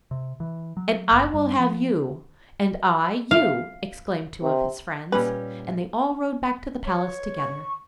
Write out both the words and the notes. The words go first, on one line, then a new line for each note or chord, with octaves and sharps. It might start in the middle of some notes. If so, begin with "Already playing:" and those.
'And I will have you,' 'And I you,' exclaimed two of his friends, and they all rode back to the palace together.
C3
E3
F#3
F#1
G2
F3
F5
C3
A#2 G3 C#4 B4
C#5
C#6